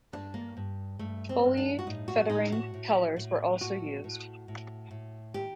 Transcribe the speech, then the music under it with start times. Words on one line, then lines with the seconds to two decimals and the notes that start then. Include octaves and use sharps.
Fully feathering propellers were also used.
0.13 G2 D4
0.34 A#3
0.57 G2
0.99 G2 A3
1.29 C4
1.44 G2
1.57 D4
1.79 F#4
1.87 A2 D#4
2.08 F#4
2.30 A2 D#4
2.52 F#4
2.74 A2
3.16 A2
3.60 A2 F#4
4.04 A2
4.48 A2
4.91 A2
5.34 D#3 G4